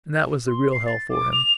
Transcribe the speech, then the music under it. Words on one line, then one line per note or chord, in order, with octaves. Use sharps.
And that was the real hell for him.
C6
C7
A6
D6
F7